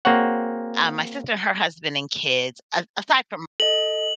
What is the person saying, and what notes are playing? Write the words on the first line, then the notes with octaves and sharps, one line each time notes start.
uh, my sister and her husband and kids, a aside from
A#3 C4 F#4 G#4 C#5 F#5
A4 D#5 F#7